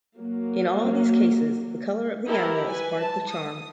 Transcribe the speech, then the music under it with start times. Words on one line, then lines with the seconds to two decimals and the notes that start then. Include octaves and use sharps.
In all these cases the color of the animal is part of the charm.
0.17 F#3 A#3
2.26 E4 G4 A4 A#4
2.66 B4 G#5
2.99 A5
3.29 D#6